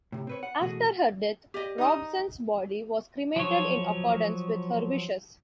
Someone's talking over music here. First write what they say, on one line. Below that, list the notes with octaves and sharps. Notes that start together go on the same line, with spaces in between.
After her death, Hobson's body was cremated in accordance with her wishes.
A2 C3
C4 B4 C#5
F#5
B2 E3 A3 F#4 G#4
G4 D5 D#5
D#4 D#6
F3 F#3 C#5